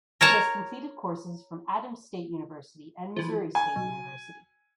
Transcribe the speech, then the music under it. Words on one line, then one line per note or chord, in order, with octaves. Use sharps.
He has completed courses from Adams State University and Missouri State University.
A#4 C#5 A5 A#5
E3 F3
G#5
B1